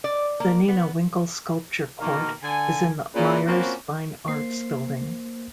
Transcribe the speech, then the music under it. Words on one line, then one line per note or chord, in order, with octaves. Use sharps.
The Nina Winkel Sculpture Court is in the Myers Fine Arts Building.
D5
A#3
B3
B2 D#3 A#3 A#4
D3 G#5
A#2 C#3 B4
A#3 C4 C#4 F4 F#4 B4
A#3 C5 C7